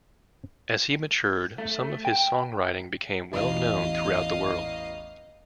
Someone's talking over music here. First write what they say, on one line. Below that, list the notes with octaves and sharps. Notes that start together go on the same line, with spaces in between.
As he matured, some of his songwriting became well known throughout the world.
A3
G5
A1 E2 E3 D#5 F5